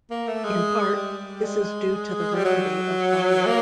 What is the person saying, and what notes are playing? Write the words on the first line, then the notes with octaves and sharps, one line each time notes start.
In part, this is due to the rarity of fire.
A#3
A3
G#3
G3
G#3
G3
F#3
A#3